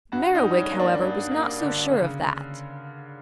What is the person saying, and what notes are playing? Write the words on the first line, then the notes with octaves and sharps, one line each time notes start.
Merriwig, however, was not so sure of that.
G2 F#4
D#4
G3
C#4
A#3
D4
G2
A#3
D3
C#3